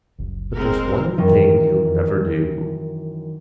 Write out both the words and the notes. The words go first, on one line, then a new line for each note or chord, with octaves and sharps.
But there's one thing he'll never do.
F#1 C#2
G#3 C4 A#4
F#2 D#3 E3 D#4 D#5